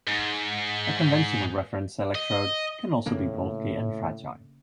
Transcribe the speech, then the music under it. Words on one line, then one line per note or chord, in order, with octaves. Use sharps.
A conventional reference electrode can also be bulky and fragile.
G#2
D#5
A2 C#3 A#3 D4